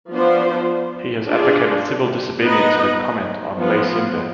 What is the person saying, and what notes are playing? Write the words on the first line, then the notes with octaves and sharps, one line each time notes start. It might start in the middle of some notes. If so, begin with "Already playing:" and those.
He has advocated civil disobedience in a comment on Ley Sinde.
F3 B3 D4 F4 C5
D4 F4 G#4
B3 D#4 B4 D#5
F3 B3 F4